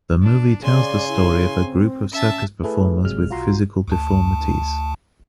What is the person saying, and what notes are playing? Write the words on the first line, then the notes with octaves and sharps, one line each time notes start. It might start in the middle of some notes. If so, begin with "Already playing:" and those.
The movie tells the story of a group of circus performers with physical deformities.
D4
C#3 D5 G#5 C6
E4
C4
C#4 E5 A5
A3 E4 G#4 A4 B4
G#1 C3 F#3 G#3 F6
B1 F4 F#4 A#5 C6
D2 A5